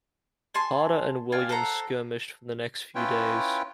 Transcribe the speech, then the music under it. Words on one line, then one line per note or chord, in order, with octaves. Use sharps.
Carter and Williams skirmished for the next few days.
G#5 A5 C6
D4 F4 G5 G#5
A4 C5 F#5 A#5
C#4 E4 F4 B4 C#5 G5